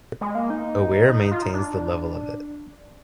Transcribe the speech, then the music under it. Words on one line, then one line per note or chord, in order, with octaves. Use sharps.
A weir maintains the level of it.
G#3
A#3
D#4
D#4
D#4
F4
D#4
D4